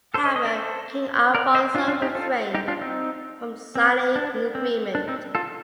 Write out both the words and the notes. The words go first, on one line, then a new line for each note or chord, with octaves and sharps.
However, King Alfonso refrained from signing an agreement.
A4 C5
C5 D#5
D#5
A#4 D5
A4 C5
A#4 D5
C5 D#5
D4 F4
D4 F4
D#4 G4
F4 A4
D#4 G4
D4 F4
C4 D#4
C4
D4
C4
D4
C4 D#4
F4 A4